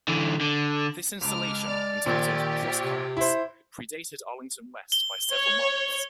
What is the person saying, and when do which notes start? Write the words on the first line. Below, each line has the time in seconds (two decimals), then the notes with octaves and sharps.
This installation, entitled "CrossCurrents", predated Arlington West by several months.
0.08 D3 E3
0.41 D3
1.21 C#2 G#3 A5 D6 F6
1.67 D5
2.06 A#1 A#2 D#3 G4
2.84 C3
3.17 E4 C5
4.92 G7
5.33 C#5